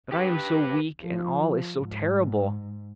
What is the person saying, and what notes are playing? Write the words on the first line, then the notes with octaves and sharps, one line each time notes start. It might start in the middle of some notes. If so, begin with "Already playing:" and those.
But I am so weak, and all is so terrible.
G4 B4
F3
G#2